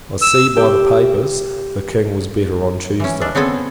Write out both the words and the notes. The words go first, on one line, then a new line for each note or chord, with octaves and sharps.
I see, by the papers, the King was better on Tuesday.
E6
G4
E3 C#4
D4
C#3 B3 C4 A4 G#5